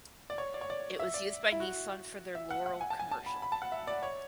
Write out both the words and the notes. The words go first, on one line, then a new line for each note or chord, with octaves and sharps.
It was used by Nissan for their Laurel commercial.
D5
C#5
D5
C#5
D5
E5
D5
E4
F#4
E5
F#5
F#5
G#5
A5
G#5
A5
B5
B5
A5
F#5
E5
D5
C#5